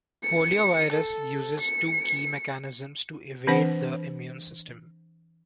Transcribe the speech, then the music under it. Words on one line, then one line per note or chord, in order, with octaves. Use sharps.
Poliovirus uses two key mechanisms to evade the immune system.
C#7
A4
C#7
E3 C4 D4 C5 F#5